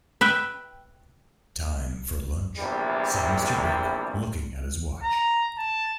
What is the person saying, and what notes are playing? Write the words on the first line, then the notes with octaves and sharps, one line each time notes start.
"Time for lunch," said Mr. Brooke, looking at his watch.
B4 E5 G5
A#1 E2 C3 G3
A#5
A5